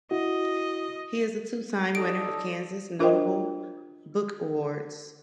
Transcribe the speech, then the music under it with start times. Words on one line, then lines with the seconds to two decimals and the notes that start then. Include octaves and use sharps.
He is a two-time winner of Kansas Notable Book Awards.
0.11 E4 F#4 D#5
1.95 D#4 A4 D5 D7
2.99 D4 F4 A#4 C5 D#5 G5